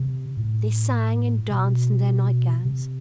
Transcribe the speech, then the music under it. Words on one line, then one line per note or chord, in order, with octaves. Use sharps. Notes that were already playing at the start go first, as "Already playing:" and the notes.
They sang and danced in their night-gowns.
Already playing: C3
A2
B2
C3